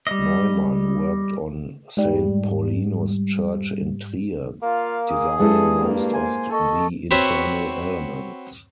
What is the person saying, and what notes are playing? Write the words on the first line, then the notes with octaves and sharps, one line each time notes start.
Neumann worked on Saint Paulinus' Church in Trier, designing most of the internal elements.
G3 D#5
G#2 G3
A#3 F4 F5
G#4 D#6
G2 G#3 E4 A4
A#3
C5 G#5
A4 D#5 C#6
C4 F#4 B4 C#5 E5 F#5